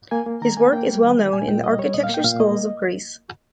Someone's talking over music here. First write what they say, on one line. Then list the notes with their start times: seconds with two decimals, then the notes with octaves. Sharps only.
His work is well known in the architecture schools of Greece.
0.11 A#3 G#5
0.26 A#3
0.42 D#3 A#5
0.57 A#3 G#5
0.73 A#3 G5
0.88 G3
1.03 D#3
1.18 G3
1.33 A#2 G#5
1.48 A#2 G5
1.63 G3 D#5
1.79 G3 C#5
1.94 A#2 D#5
2.03 F5
2.09 A#3 G5
2.24 A#2 F5
2.40 A#3 D#5